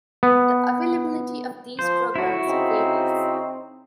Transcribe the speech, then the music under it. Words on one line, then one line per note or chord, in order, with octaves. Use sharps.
The availability of these programs varies.
B3
F3 C5
D2 A2 F#3 E4 F#4
C#3 C4 D#4